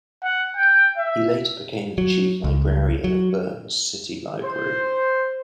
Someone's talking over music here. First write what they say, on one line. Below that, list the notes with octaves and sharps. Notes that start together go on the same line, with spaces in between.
He later became the chief librarian of Bern's city library.
F#5
G5
E5
F#3
C#2
F#3
C5